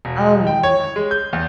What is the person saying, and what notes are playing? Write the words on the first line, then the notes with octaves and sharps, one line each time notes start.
Oh, yeah.
E1
G5
C#5
G#3
G6
E2